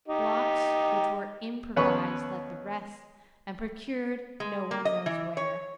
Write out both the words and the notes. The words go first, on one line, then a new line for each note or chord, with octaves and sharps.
Blocks which were improvised like the rest and procured no one knows where.
D#4 G4
D#2 B3 C#4 B4 C#5 C#6
G#3
A#3
D#5
E3
C#5